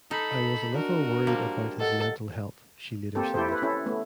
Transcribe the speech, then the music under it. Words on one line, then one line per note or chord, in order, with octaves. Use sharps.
"I was a little worried about his mental health," she later said.
D#4 A4 B5
D4 F#4 A#4
F3 G3 A#3
A4 D#5 F#5
A#3 C4 G4 A4
E4 G4 A4 C5
E4 B4
C#4 E4 A4
A3 B3